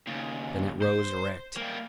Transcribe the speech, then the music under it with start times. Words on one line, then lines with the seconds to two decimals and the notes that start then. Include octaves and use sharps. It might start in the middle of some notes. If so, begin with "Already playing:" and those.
Then it rose erect.
0.07 D#2 C#3
0.82 C5
1.57 G3 A#3